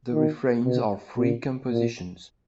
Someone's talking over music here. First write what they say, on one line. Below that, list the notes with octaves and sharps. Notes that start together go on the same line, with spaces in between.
The refrains are free compositions.
D#3
B2
A#2
A#2